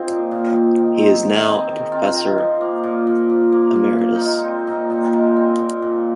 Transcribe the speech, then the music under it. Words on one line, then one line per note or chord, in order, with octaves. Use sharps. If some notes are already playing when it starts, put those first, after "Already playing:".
He is now a professor emeritus.
Already playing: F3 C4 D#4 G#4
A#2
A#2
C4
D#3
C4
D#3
C4 G#4
D#3
C4 F4
D#3
F3
A#3
A#2
A#2
F3
A#3
A#2
A#2
D#4
G#3 F4
C4
A#2 D#4
A#2
D#4
G#3 F4
C4
A#2
A#2